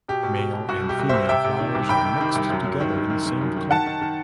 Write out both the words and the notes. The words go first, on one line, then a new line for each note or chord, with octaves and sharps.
Male and female flowers are mixed together in the same clump.
B2 G4
B2
B2
B2
C2 F#4
B2
G4
C2
C5 E5
C2
C3 E5 G5
C3
D#3
C2
D#3 G5 B5
D#3
D#3
C2
F#2
F#2
D#3
D#3
D#3
D#3
F#2
D#3
D#3 F#5 A5
D#3
D#3